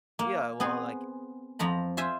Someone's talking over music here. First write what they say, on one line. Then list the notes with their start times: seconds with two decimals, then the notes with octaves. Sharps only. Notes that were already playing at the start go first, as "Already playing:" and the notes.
Yeah. Well, like
0.19 A#3
0.60 B3 C4 G#4
1.59 F2 F3 A#5 B5
1.97 F4 C5 E5 G#5